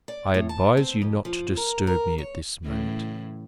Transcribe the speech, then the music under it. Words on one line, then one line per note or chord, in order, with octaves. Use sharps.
"I advise you not to disturb me at this moment."
D5
A2
A5
C4
F2
F3
A#4
A#4
C#5
A2 C#3 E3